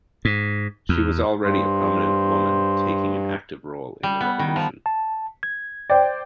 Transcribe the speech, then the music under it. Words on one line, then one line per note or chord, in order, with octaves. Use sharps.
She was already a prominent woman taking an active role in the revolution.
G#2
E2
G2 C5
G3
B3
D#3
F3
A5
G#6
C5 D5 G5